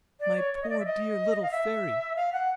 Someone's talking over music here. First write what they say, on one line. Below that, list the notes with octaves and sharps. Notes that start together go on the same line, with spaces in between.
My poor, dear little Fairy!
D5
C#5
C#5
D#5
D5
E5
D#5
F5
E5
F5
F#5